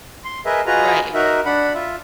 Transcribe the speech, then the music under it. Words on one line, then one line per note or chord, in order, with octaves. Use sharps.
Right, it will
C6
G#4 A#4 B4 D#5 E5
F4 F#4 G#4 B4 D#5 A#5
D#4 F#4 A#4 E5
D4 F#5 B5
F4 E5